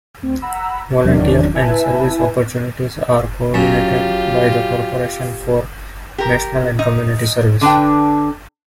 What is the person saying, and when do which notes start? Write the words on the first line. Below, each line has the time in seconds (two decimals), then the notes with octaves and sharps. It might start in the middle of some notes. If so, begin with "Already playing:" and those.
Volunteer and service opportunities are coordinated by the Corporation for National and Community Service.
0.22 D2 C4
0.42 F#5 A#5 B5 E6
1.04 E2 D#3 F#3 C#4 D4 D5
1.54 E4 B4 E5 G#5 A5
3.54 F#2 F4 G4
6.18 G4 A#4
6.79 D#4
7.61 D3 D4 B4 G5